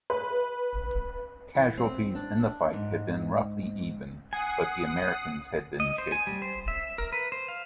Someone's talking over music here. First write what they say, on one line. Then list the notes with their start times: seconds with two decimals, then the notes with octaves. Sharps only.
Casualties in the fight had been roughly even, but the Americans had been shaken.
0.10 B4
1.55 E3
1.77 C4
2.15 D4
2.73 G#2
4.33 F#5 G#5 D#6 C7
5.80 D#5
5.98 C5
6.12 G#5
6.27 G3
6.42 C5
6.68 E5
6.98 A#4
7.12 B4
7.32 C5
7.48 F5